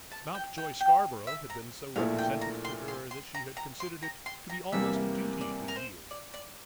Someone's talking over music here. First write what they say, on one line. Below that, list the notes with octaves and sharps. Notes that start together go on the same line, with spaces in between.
Mountjoy Scarborough had been so represented to her that she had considered it to be almost a duty to yield.
A5
G5
G5
G5
E5
A#5
A#1 A#2 A3 E4 F5
G5
A#5
C6
C6
C6
A#5
A#5
C6
A#5
C6
A#5
E2 C3 G3 A#3 E5
D5
A#4
C5
D5
D5